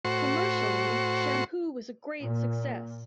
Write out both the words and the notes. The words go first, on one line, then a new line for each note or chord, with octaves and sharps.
Commercially, "Shampoo" was a great success.
A2 F#4 C5 C#6
A#2